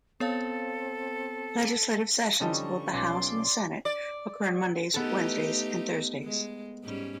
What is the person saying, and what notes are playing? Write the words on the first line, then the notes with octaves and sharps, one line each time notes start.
Legislative sessions in both the House and Senate occur on Mondays, Wednesdays, and Thursdays.
B3 C4 A4 C#5 F5
D3 F3 G3 C#4 D#4 A5
C#6
B1 C#4 F4 D5 C6 D6
D5
A3 B3 D#4 G4 A4
G#3
G#2 G3 C#4